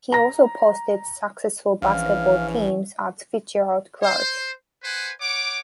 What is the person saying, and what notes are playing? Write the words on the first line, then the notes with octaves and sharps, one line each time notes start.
He also posted successful basketball teams at Fitzgerald-Clarke.
A#5 A#6
A#1 E3 C#4 F5
C5
B4 C5 F#5 G#5
C#5 F#5 D6